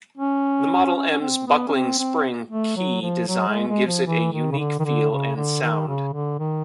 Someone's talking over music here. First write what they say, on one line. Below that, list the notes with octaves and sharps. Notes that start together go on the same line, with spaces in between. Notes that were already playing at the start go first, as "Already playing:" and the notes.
The Model M's buckling spring key design gives it a unique feel and sound.
C#4
C#4
C#4
C4
B3
C#4
C4
C4
A3
F#3
F3
F#3
G#3
G#3
F3
E3
D#3
C#3
D3
D#3
D3
C#3
D3
D#3
C#3
D3
D#3